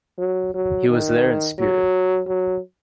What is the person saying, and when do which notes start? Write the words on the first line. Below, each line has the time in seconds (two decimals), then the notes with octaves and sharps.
He was there in spirit.
0.19 F#3
0.54 F#3
0.89 D#3
1.59 F#3
2.28 F#3